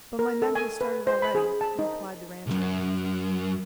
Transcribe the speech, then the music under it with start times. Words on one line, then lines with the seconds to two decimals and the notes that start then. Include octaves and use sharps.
"But my men have started already," replied the rancher.
0.19 A#4
0.42 A4
0.55 G#5
0.81 B4
1.07 C5
1.22 B5
1.35 G#4
1.61 A5
1.79 D#4
2.47 B1 F#2